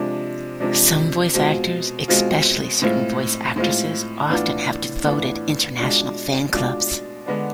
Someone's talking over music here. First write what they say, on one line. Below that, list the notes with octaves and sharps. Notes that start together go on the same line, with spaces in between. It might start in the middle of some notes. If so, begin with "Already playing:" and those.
Some voice actors—especially certain voice actresses—often have devoted international fan-clubs.
Already playing: C3 F3 G#3 D4
C3 F3 G#3 D4
B2 G#3 C4 F4
B2 G#3 C4 F4
A2 G#3 C4 F4
A2 G#3 C4 F4
A2 E3 B3 D4 F4
A2 E3 B3 D4 F4
B2 G#3 D4 F4
B2 G#3 D4 F4
D3 G#3 B3 D4